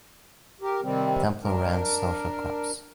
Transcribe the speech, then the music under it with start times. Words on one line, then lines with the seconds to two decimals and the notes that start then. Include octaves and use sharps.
Templer ran social clubs.
0.61 G4 A#4
0.82 C3 D#3 G3 C4
1.42 D4 A#4